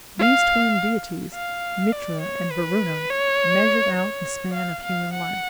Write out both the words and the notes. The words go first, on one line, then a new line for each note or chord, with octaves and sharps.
These twin deities, Mitra and Varuna, measured out the span of human life.
F5
F5
D5
C#5
B4
C#5
C#5
F5
F5
F#5